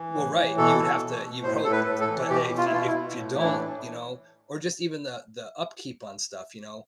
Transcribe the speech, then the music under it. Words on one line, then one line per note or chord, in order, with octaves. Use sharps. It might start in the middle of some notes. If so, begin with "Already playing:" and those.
Well, right, you would have to you would hope t but if you if you don't, you know, or just even the the upkeep on stuff, you know,
Already playing: E3
A2
E3
B2 A4
B2
B2
B2
A2 C5
A2 A4
B4
A2
A4
E3
B2 G4
B2
F4
E4
B2 F4
E4
B2
A2
E3 E4
D4